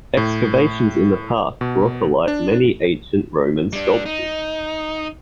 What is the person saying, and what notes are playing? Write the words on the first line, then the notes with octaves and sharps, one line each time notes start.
Excavations in the park brought to light many ancient Roman sculptures.
A2
B2
D4
G3 D4
D#4